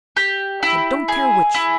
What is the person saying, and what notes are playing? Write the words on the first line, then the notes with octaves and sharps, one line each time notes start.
I don't care which.
G4
E4
G#4
E4